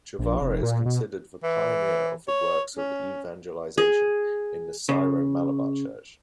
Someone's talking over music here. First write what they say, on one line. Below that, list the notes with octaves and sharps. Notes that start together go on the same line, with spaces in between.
Chavara is considered the pioneer of the works of evangelization in the Syro-Malabar Church.
A#1
F1
A#2
B2
E3
C#5
C#4
G#4
C#3